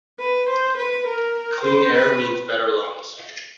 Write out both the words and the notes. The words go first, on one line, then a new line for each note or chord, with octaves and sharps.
Clean air, means better lungs.
B4
C5
B4
A#4
C5
B4